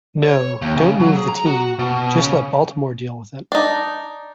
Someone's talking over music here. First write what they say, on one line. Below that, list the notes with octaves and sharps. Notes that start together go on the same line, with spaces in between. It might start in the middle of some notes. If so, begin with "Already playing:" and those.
No, don't move the team, just let Baltimore deal with it.
C#5
D#2
C#3
F#3
G#4
A#5
F#4
B2
C#3
D4 D#4